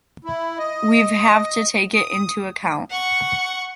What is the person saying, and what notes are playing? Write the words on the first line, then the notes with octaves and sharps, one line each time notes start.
We’ve have to take it into account.
E4
D#5
D#6
F#5 C#6